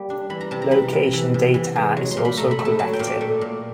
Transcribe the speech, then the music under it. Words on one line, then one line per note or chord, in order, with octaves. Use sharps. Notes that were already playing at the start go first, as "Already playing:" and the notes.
Location data is also collected.
Already playing: G3 A#3
D4
E3 B5
A#5
C3 A5
A#5
E3 B5
C3
E3
C3
E3
G#3
F#3
C6
A#2
B5
A3 A#5
B5
A3
A5
F#3 A5
G5
A#2
D5
A3
A#2